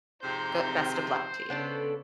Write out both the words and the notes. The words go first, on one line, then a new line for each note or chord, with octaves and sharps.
Goo Best of luck to you.
F2 G#2 C3 C5 A#5 G6
C#3 B3 D4 A4 B4 C#5